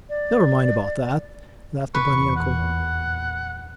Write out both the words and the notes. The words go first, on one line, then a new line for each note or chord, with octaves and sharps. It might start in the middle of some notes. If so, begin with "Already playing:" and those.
"Never mind about that," laughed the bunny uncle.
D5
E2 A#2 B4 C#6
F#5